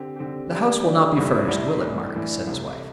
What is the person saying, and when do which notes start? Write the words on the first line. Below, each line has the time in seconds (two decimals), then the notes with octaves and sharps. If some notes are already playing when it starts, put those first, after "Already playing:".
"The house will not be furnished, will it, Mark?" said his wife.
Already playing: D3 C4 G4
0.16 D3 C4 G4
0.50 D3 A3 D4 G4
0.83 D3 A3 D4 G4
1.16 C2 C3 G3 C4 E4
1.48 C2 C3 G3 C4 E4
1.81 A2 E3 A3 D4
2.14 A2 E3 A3 D4
2.47 C2 C3 A3